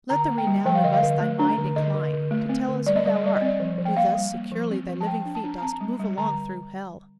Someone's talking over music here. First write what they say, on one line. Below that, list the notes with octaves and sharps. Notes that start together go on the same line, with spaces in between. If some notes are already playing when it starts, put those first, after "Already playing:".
Let the renown of us thy mind incline To tell us who thou art, who thus securely Thy living feet dost move along through Hell.
D3 A#5
A#3
G5
G3
F3 G5
F5
D3 D#5
F5
D3
A3
D4
D3
D3 D#5
D3
D3
A3
C4
D3
G3 D5
D#5
G3 D5
D#5
G3 D5
D#5
C4 D5
F3
F3
G5
A#3 F5
G3
A#3
F3
C4
F3
A5
F3 G5
D4
A5
D4
A#5
C4 A5
G3
G3
D3 A#5